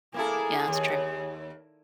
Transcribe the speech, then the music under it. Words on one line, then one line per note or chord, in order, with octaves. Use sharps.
Yeah, that's true.
A#3 E4 G#4 A4
D#2